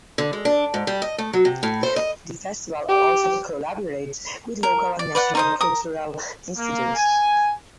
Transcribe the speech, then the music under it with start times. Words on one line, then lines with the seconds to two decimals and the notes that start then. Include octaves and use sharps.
The festival also collaborates with local and national cultural institutes.
0.18 D3
0.33 G#3
0.45 D4
0.74 G#2
0.87 G3
1.02 D#5
1.18 A3
1.33 F#3
1.45 C3
1.63 A2
1.83 C5
1.96 D#5
2.89 G4
4.63 A#4
4.99 D5
5.15 B4 D5 F#5
5.35 D#4 C5 D#6
5.61 A#4 D#6
6.57 A#3
6.96 G#5